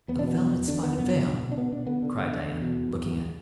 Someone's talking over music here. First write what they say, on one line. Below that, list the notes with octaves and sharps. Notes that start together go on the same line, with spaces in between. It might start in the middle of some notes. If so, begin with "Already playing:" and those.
"A velvet-spotted veil!" cried Diana, looking at it.
E2 B3
D4
B2 B3
B2
E2
D3 D4
D3 B3
F#2 B3
D3
B2
B2
D4
B2 B3
B2 D4
D3 B3
D3
D3
D3
E2
B2
E2
E2
E2